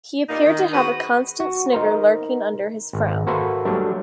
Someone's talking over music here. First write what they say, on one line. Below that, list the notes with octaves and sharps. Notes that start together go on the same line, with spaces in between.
He appeared to have a constant snigger lurking under his frown.
A#2 G3 A#3 D#4
D#3
B3 F#4 G#4 B4 C5
F#4
D#4 A#4 C5
G#1
A#3 F#4 A4 B4 C5 E5
F#3 G3 A3 D4